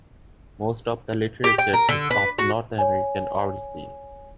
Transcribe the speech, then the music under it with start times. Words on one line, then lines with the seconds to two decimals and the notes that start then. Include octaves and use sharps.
Most of the literature is of North American origin.
1.44 G4
1.58 G5
1.73 A#4
1.89 D3
2.10 B4
2.38 F#4
2.78 C#5 G#5